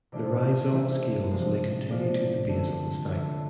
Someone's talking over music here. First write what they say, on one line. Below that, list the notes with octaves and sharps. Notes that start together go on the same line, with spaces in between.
The rhizome scales may continue to the base of the stipe.
C3 E3 A3 D4 F4 D5
C3 E3 A3 D4 F4 E5
C3 F3 G#3 D4 F4
C3 F3 G#3 D4 F4 D5
D3 A3 D4
D3 A3 D4 E5